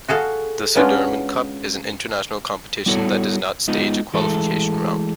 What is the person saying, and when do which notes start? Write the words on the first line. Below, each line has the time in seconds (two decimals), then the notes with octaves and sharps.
The Sudirman Cup is an international competition that does not stage a qualification round.
0.08 F#4 G#4 A4 F5
0.75 F#3 G#3 B3 C#4 D4 F4
2.86 G3 B3 E4 F#4 A4 C#5
3.68 G#3 B3 D#4 F4
4.14 E3 G#3 A3 A4